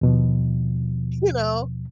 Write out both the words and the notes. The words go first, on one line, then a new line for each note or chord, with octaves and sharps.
You know?
D#2 B2 F3